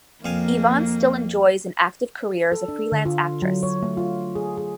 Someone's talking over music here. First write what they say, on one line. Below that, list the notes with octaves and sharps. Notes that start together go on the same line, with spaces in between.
Yvonne still enjoys an active career as a freelance actress.
F2 A#3 F5 G#5
A4
D4
D3
F4
F#3
C#5
A3
F4
G#4
G#4